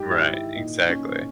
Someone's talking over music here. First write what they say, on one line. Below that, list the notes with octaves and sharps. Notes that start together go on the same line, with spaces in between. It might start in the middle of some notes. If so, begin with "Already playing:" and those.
Right, exactly.
Already playing: G#2 G4
E4
D#3
E4
A#2 D#4
A#2 C#4